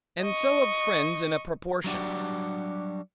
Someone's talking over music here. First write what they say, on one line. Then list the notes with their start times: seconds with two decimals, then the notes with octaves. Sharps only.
And so of friends in a proportion.
0.21 D#5 C#6
1.84 F#3 G3 D4 F#4 G4